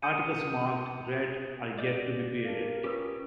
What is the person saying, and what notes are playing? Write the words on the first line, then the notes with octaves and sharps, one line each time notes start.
Articles marked red are yet to be created.
G#5 D#6 G6 C#7 D#7
G#4 D5 D#5 G6
A#4 F5 A5
C#4 F4 G4 B4 D#6